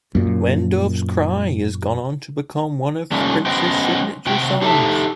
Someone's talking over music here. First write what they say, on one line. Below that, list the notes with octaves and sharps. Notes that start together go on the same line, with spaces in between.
"When Doves Cry" has gone on to become one of Prince's signature songs.
F#2 A#2
G3 A3 A#3 C#4 F4
F#3 B3 C#4 C5 D#5 G5
C3 F#4 G5
D#4 G4 A4 D#5 E5 A5